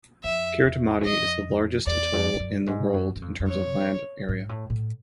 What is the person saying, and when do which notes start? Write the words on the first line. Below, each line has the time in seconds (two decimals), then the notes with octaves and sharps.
Kiritimati is the largest atoll in the world in terms of land area.
0.24 F2 E5
0.65 E2
1.01 F#2
1.05 F2 D#5
1.86 E2 D5
2.13 F2
2.34 F2
2.40 F#2
2.67 G#2
2.94 F#2
3.16 F#2
3.22 F2
3.40 F#2
3.47 F2 C#5
4.29 G#2
4.49 A2
4.70 A2